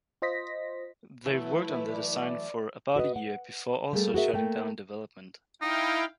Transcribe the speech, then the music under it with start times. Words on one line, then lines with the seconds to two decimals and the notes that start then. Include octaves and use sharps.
They worked on the design for about a year before also shutting down development.
0.22 F4 C5 D#5 A#6 B6
1.26 E3 F#3 A3 E4 B4
1.90 D5
2.96 F#4 B4 D#5
3.16 F#5
3.93 G3 A3 A#3 G#4 A4
4.14 F#4 G#4 A#4 E5
4.34 A3 A#3 G5
5.62 D#4 E4 F5 G5